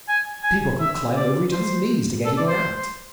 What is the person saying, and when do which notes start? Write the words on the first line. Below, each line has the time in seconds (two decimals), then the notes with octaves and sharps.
People can climb over each other's knees to get in or out.
0.08 G#5
0.44 G#5
0.80 E5
1.16 D5
1.52 C5
2.25 A4
2.37 D5
2.48 C5